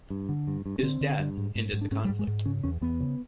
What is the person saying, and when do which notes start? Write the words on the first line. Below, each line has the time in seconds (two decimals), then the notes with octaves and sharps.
His death ended the conflict.
0.10 G2
0.29 D3
0.48 G2
0.66 G2
0.79 C#4
0.83 D3 C4
1.01 D3
1.19 G2
1.37 G#2
1.55 G#2
1.73 G#2
1.81 D4
1.91 G#2 C#4
2.05 G3
2.09 G#2
2.19 G#3
2.27 G#2
2.45 C#3 C#4
2.64 E2 C#4
2.81 E2 B3
3.00 C#3